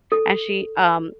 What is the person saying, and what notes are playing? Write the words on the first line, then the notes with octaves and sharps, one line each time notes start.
and she, um,
A4